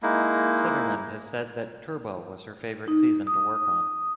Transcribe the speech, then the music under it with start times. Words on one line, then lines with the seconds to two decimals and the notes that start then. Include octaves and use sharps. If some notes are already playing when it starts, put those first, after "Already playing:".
Sutherland has said that "Turbo" was her favourite season to work on.
0.03 G#3 A#3 D#4 E4
2.88 D#4
3.27 D#6